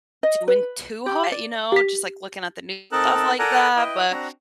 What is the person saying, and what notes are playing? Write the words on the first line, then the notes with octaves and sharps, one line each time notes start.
doing too hot, you know, just like looking at the news and stuff like that, but
D#5
B4
G4
D5
G4 B6
C4 D#4 A4 A#4 A5 F#6
A4 A#4 D5 F#5 G#5 A#5
E4 B4 D#5 G5
C4 D4 F#4 A#5